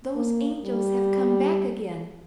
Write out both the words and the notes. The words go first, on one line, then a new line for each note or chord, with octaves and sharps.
Those angels have come back again.
A#3
G3